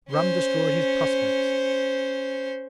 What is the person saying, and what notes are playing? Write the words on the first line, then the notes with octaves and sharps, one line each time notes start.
Rum destroyed his prospects.
C#4 C5